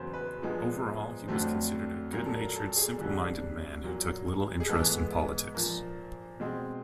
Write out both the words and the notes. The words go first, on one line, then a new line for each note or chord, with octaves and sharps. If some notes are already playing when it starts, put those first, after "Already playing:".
Overall, he was considered a good-natured, simple-minded man who took little interest in politics.
Already playing: E2 C#3 F#3 A#3 B4 C5
B4
A#2 F3 G#3 B3
F2 D3 F#3 A3 C4
A#2 F#3 A#3 A#4
A4
A#4
A4
G#4
F2 D3 G3
A#2 F#3 A#3
G#4
G#2 E3 G#3 B3 A4
A#2 F3 A#3
B2 G#3 C4